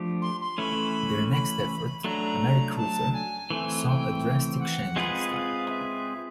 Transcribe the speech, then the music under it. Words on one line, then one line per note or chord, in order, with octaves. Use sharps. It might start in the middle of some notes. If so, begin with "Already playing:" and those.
Their next effort, "Americruiser", saw a drastic change in style.
Already playing: F3 A3 D4 G4
C6
C6
E3 A3 C#4 B5
B5
F#3 A3 D4 A#5
A5
G#5
E3 A3 C4
G5
F#5
G#3 C4 F4 G#4 B4
F#5
F5
E5